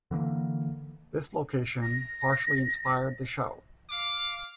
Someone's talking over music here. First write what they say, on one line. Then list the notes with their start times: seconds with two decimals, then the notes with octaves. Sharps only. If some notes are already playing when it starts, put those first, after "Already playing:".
This location partially inspired the show.
0.11 D3 E3 G#3 A#3
1.83 A#6
3.90 F5 D6